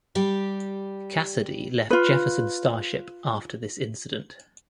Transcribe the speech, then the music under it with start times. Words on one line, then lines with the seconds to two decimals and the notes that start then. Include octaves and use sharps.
Casady left Jefferson Starship after this incident.
0.15 G3 G4
1.90 F4 B4